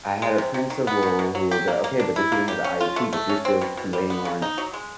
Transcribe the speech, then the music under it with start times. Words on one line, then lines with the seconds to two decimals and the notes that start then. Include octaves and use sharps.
I had a principal who would go, "Okay, but this student has a IEP but you're still waiting on
0.22 G#3
0.38 C3
0.54 C3
0.70 D#3
0.87 B3
1.03 B2
1.19 B2
1.35 F#3
1.51 G4
1.68 A#3
1.84 A#3
2.00 D4
2.16 E4
2.32 A#3
2.48 G4
2.64 C#4
2.81 F4
2.96 A3
3.13 A3
3.29 C#4
3.45 C4
3.61 B2
3.77 B2
3.93 G3
4.10 B3
4.25 C#3
4.42 D#4
4.58 F#3
4.73 G#3